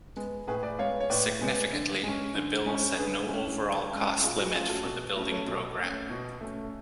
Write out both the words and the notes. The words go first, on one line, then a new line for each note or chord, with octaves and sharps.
Significantly, the bill set no overall cost limit for the building program.
G#3 B3
A2 G#4 B4
B4 D5
G#3 B3 C#5 F5
C#5
A2 B4 D5
G#3 B3
D3
G#3 C#4
D3
G#3 C#4
D3 G#4 B4
G#3 C#4
D3
G#3 C#4
B2 F4 G#4
F#4
A3 C#4 F4 G#4
F#4 A4
B2 F#4
A3 C#4 F#4
A4 C#5
B2
A3 C#4
B2
A3 C#4